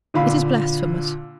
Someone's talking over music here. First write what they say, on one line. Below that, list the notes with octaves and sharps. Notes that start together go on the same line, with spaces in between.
It is blasphemous.
A#2 D3 F5 B5